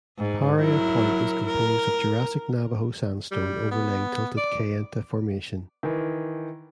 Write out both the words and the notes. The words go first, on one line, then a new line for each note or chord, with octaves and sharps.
Paria Point is composed of Jurassic Navajo sandstone overlaying tilted Kayenta Formation.
G#2
F#3 E4 A#4
A#4
G3
B3
D5
D#3 E3